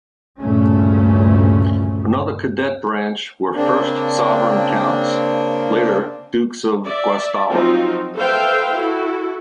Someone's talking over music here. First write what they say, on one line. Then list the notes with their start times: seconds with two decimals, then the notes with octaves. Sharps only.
Another cadet branch were first sovereign counts, later dukes of Guastalla.
0.41 D2 G2 A#2 C#3 A3 C#4
3.55 C#3 A#3 C4 D4
6.85 D5 E5
7.51 F3 F#3 C4 D#4 F4
8.16 A4 B4 C5 E5 F5 G5
8.73 E4 F#4 A4